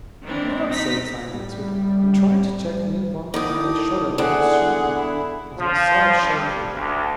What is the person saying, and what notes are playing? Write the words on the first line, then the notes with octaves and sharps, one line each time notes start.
"Nonsense," I answered, and tried to check the involuntary shuddering that shook me, as I saw it shake him.
D#3 E3 C4 D4
B2 C4 D#4 A#6 B6
A2 G3
A2 D#3 D6 D#6
E2 D3 G#4 F#5
E4
F3
G2
D2